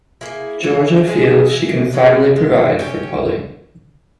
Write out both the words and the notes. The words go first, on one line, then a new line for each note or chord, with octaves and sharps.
Georgia feels she can finally provide for Polly.
A#3 E4 G#4
E3
G#3 C#4 G#4
E3
G#3 C#4 G#4
G#3
C#4 G4